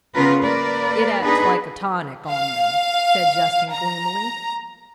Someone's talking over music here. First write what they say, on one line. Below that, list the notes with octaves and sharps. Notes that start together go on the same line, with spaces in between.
"It acts like a tonic on them," said Justin gloomily.
C#3 B3 C#4 F4 A#4 B4
A#3 A#4 B4 D5
B3 D4 D#4 G#4 B4
F5
A#5